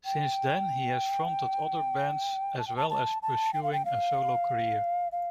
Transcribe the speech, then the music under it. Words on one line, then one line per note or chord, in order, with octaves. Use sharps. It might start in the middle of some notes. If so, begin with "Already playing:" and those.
Since then he has fronted other bands, as well as pursuing a solo career.
G5
A5
G5
A5
A5
A5
G5
F5
G5
F5
F5